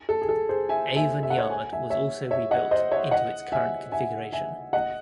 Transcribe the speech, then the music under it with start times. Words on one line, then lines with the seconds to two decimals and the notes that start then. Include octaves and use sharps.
Avon Yard was also rebuilt into its current configuration.
0.09 A4
0.22 G#4
0.29 A4
0.49 G#4 C5
0.69 E5 G#5
0.96 E5 G#5
1.23 E5
1.30 F#5
1.38 C#5 E5
1.50 G#5
1.73 E5 G#5
1.90 C#5 E5
2.31 C#5 E5
2.51 D#5 F#5
2.71 C5 D#5
2.92 C#5 E5
3.11 D#5 F#5
3.52 E5 G#5
3.92 E5 G#5
4.32 E5 G#5
4.73 D#5 F#5